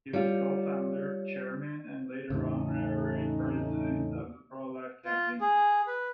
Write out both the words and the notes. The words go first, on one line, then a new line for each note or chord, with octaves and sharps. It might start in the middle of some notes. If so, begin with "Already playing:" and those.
He was co-founder, chairman and later honorary president of the Pro Life Campaign.
G3 F4 C#5
E2 A2 C#3 A3 C#4 D#4
F4
G#4
B4